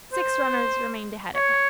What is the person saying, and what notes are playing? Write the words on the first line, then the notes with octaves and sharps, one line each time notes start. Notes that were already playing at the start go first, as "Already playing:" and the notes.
Six runners remained ahead of him.
C5
C#5